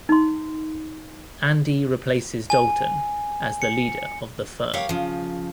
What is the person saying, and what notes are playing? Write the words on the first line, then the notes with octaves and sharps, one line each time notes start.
Andy replaces Dalton as the leader of The Firm.
D#4 C6
G#5
C#7
G4 A#4 C#5 F5 F#5
C#3 F3